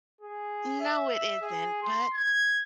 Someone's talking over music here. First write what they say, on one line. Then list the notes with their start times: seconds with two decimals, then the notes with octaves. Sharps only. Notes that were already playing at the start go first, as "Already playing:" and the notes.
No, it isn't, but
0.21 G#4
0.80 E5
1.42 G#4
1.83 C6
2.14 G#6